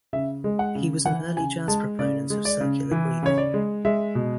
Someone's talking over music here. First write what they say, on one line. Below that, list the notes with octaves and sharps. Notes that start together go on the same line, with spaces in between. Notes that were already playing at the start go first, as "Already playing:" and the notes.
He was an early jazz proponent of circular breathing.
C#3 E5
G#3
F#5
C#3
E3 F#5
C#3 G#5
G#3 A5
C#3 D5
G#3
D5
C#3
E3
C#3 C#5
D5
G#3
G#3 E5
B2